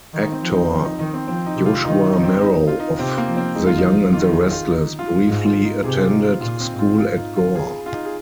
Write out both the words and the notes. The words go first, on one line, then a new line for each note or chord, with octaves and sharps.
Actor Joshua Morrow of "The Young and the Restless" briefly attended school at Gore.
D#3
D#4
C4
F3
D#4
F3
D#4
D#3 D#4
C4
F3 C4
D#4
C3
F4
D#3 D#4
D#4
C4
D#4
F4
D#4
C3 C4
A#3
F3
C4
G#3 D#4
F4
D#4
F3
D#3 F4
G#4
F4
D#4
F4
G#2 G#4
F4
D#4
C3 G#4
F4
D#4
F4
A#2 F4
C4
G#2
F4
F4
D#4
F4
G#4
F4
D#4
G#4